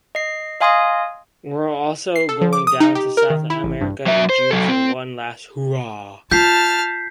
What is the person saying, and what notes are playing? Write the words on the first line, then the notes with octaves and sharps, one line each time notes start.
We're also going down to South America in June for one last hoorah.
D#5 C7
D#5 F5 G#5 C6 D#6
C7
A4
F3
D6
D#6
D#4
G4
A#4
D#3
E4
A1
G2
F#3 E5
C5
F#3 A4
C4
F4 A5 F6 G6 B6 C7